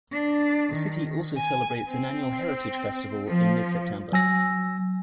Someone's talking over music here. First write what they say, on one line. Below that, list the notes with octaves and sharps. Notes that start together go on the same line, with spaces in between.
The city also celebrates an annual Heritage Festival in mid-September.
D4
D#3
G#5
C4
F3
F#3 G#5 E6 A#6